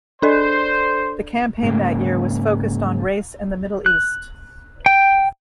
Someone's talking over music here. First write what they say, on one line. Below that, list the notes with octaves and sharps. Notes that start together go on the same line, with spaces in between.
The campaign that year was focused on race and the Middle East.
D4 A4 C5 D5
G#2 C#3 A#3
F#6
G5